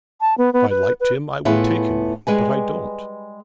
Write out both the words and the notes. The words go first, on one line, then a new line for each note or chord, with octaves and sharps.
If I liked him, I would take him, but I don't.
A5
B3
B3
B4
B4
A2 B3 E4 F4 G#4 B4
G3 G#3 B4 G#5